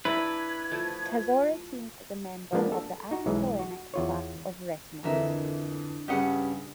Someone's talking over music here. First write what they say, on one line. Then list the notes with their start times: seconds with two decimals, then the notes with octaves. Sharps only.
Tazarotene is a member of the acetylenic class of retinoids.
0.05 D4 E4 B4 A5 A#5 G#6
0.71 F3 A3
2.53 F3 G#3 A#3 B3 D4
2.72 A4
3.11 D#4 F#4
3.26 B1 E3 G#3
3.59 F#4
3.94 E2 F4 C#5
5.04 F2 D3 E3 A#4 E5
6.08 G2 C#3 G3 G4 G#4 F#5